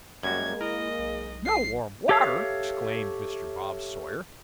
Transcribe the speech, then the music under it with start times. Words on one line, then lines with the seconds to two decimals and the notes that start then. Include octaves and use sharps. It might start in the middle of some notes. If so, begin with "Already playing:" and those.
'No warm water!' exclaimed Mr. Bob Sawyer.
0.23 F#2 G3 G#3 A#3 F#4 G#6
0.61 E4 A#4 D#5
0.99 B1
1.45 C7
2.09 G4 A4 C#5 E5 F5